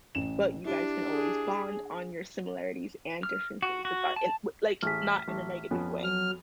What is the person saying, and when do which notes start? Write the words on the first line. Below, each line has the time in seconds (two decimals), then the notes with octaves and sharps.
but you guys can always bond on your similarities and differences without an what like, not in a negative way.
0.15 A1 E7
0.65 D4 E4 G4
1.13 G#4
3.23 F6
3.62 F#4
3.85 F#4
4.16 A5
4.83 A1 G#4 F6 B6
5.28 A1
5.71 F2 B3 C#4
6.04 F#3 F6